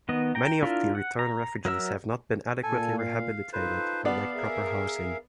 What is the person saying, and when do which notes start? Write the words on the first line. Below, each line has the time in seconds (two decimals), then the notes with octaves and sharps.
Many of the return refugees have not been adequately rehabilitated and lack proper housing.
0.09 D#3 B3 D#5
0.35 G5 A#5
0.63 D4 E4 F4 A#4 B5
0.95 F#5
1.19 A#5
1.65 F#3 A#4 E5 E6
2.63 A#2 A4 G#5
2.98 F5
3.53 D#4 F4 A4 B4 C5
4.05 B3 D5 F5 A5
4.34 G#4 A#4 E5